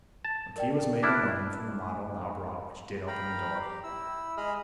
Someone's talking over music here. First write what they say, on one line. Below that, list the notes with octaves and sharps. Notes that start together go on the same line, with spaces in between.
A key was made in London from the model now brought which did open the door.
A5
A#4 D5 G5
D4 E4 D6 F6 F#6
F5 G5 A#5 B5
G4
E4 E6
G#3 G#4 D#5 B5 D#6 F6